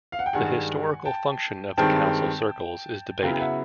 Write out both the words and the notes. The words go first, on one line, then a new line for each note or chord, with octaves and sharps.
The historical function of the council circles is debated.
F5
F#5
G5
G2 D#3 G#3 F#5 G#5
G5 A5
G2 D#3 G#3 C4 G5 A5
C#3 F#3 B3 E4 F5 G5
G5
E5 F#5